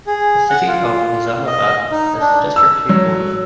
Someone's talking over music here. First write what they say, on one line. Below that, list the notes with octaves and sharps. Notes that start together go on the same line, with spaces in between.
The city of Nizamabad is the district headquarters.
G#4
F#5
F4
D#5
D#4
D4
E6
F#3